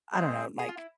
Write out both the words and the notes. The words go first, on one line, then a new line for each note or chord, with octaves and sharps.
I don't know, like,
G#3 C4 G#4 C5
G#4
F4
E4